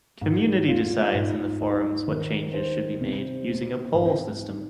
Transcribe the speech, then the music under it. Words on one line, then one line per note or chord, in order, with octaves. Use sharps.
Community decides in the Forums what changes should be made, using a poll system.
G#2
F4
G#2
D#4
D#3
C5
C3
C4
G#2
D#4